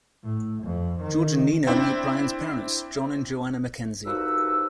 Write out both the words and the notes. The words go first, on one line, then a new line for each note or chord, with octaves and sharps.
George and Nina meet Bryan's parents, John and Joanna MacKenzie.
A2
F2
D#3
C4 D4 E4
C2 F3 D#4 F#4 B4 E6